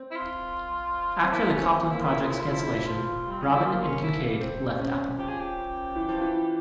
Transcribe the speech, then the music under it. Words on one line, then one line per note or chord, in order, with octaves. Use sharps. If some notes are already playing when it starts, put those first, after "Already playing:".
After the Copland project's cancellation, Robbin and Kincaid left Apple.
Already playing: C4
E4
F4
C4
A#3 E4
C#4
C4
A#3
E4
F4
F3 E4
F4
E4
F4
F3 E4
F3 F4
G3
C4
C#4
E4
A#3 F4
C#4
E4
C4
C#4
F3 G4
G#4
G4
E3
F3
E3